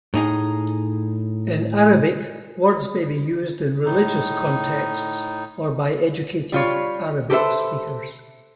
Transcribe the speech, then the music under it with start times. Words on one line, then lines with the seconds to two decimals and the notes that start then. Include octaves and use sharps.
In Arabic words, may be used in religious contexts, or by educated Arabic speakers.
0.14 A2 D#4 G#4
3.85 A2 D#4
6.52 G3 F4 C#5
7.30 G4 A4 B4 C5 E5